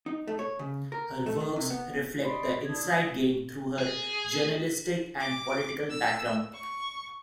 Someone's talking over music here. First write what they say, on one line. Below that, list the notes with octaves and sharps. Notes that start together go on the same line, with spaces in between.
Her works reflect the insight gained through her journalistic and political background.
D#4
A3
C#5
C#3
A#4
A3
D#3
C3
B3
D5 D#5 B5 C6
D4 E4 D#6 G#6
G#4
D6
E6
C#6